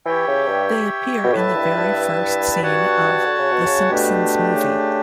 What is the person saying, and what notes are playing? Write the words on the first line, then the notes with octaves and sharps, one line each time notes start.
They appear in the very first scene of "The Simpsons Movie".
E3 G4 C#5 E5 G5
C#3
G2
B2
A2 E4 B4 E5 A5
G2
G2
G2 F#4 C#5 F#5 A5
D3
C#3
B2
C#3
B2 A3 D4 G4
C#3